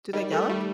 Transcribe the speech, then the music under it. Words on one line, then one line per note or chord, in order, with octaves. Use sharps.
Do they gallop?
D#3 G3
D#3 A3
A3
G3